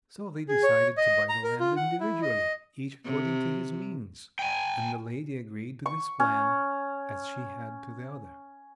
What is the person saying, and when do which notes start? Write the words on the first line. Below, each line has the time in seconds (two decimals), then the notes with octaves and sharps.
So they decided to buy the land individually, each according to his means; and the lady agreed to this plan as she had to the other.
0.49 G#4
0.63 C#5
0.97 D#5
1.29 A#5
1.44 A#4
1.60 F4
1.76 F#5
2.00 E4
2.22 D#5
3.05 C3
4.39 G5 G#5
5.86 C#6
6.20 C#4